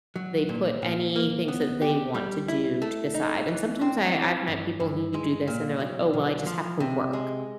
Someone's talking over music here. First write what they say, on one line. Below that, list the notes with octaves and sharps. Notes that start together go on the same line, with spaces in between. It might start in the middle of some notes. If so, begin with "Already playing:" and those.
They put any things that they want to do to the side, and sometimes I I've met people who do this, and they're like, oh, well, I just have to work.
F#3
A#2
A#2
A#3
B3
G4
G3
E4
A3
D#4
E3
C4
E3
G2
G2
G#3
A#2
B1
B1
F3
C3
G#3